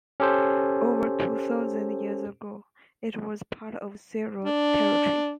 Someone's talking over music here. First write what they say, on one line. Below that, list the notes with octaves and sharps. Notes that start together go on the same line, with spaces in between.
Over two thousand years ago, it was part of Serer territory.
C#4 G4 A4 C5
D4